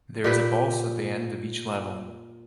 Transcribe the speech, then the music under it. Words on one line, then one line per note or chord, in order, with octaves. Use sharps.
There is a boss at the end of each level.
A#2 G4 B4